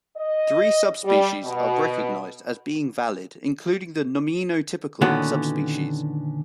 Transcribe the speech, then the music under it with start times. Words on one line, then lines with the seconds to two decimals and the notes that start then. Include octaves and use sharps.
Three subspecies are recognized as being valid, including the nominotypical subspecies.
0.17 D#5
1.04 G3
1.44 B2
5.01 A#2 D3 D#3 B3 C#4 F#4